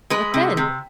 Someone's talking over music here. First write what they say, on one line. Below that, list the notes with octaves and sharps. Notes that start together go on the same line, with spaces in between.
"What then?"
G#3 B4
C3
C3